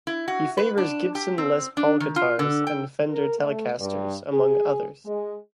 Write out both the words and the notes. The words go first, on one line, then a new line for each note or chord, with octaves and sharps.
He favors Gibson Les Paul guitars and Fender Telecasters among others.
E4
F#4
B4
D4
G4
C4
D4
D#3
F4
D3
G5
A#4
A3
G2
G#4
G#3